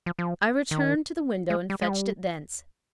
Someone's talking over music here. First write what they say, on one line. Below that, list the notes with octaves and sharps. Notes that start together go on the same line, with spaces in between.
I returned to the window and fetched it thence.
F3
F3
D#3
G#3
G3
G#3
G3